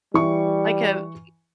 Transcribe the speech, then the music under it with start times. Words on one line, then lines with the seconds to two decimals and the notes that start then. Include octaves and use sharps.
Like a b
0.14 E3 G3 C#6